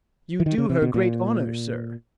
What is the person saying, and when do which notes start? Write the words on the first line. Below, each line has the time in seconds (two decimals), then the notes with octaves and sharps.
"You do her great honour, sir."
0.40 E3
0.46 D#3
0.58 C#3
0.70 C3
0.82 B2
0.94 A#2